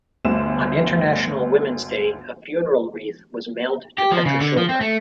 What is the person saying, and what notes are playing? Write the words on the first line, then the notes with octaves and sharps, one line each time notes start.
On International Women's Day, a funeral wreath was mailed to Petrushova.
G1 D2 E7
G4
F3
C#3
D3
F3
C4
A3